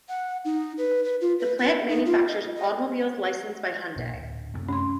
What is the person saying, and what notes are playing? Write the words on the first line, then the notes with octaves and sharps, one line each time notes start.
The plant manufactures automobiles licensed by Hyundai.
F#5
D#4
B4
B4
F4
B4
B4
D#4
F4
D#5
D#5
A#1 A#2
D1
F#2 C3 A3
C#4 C6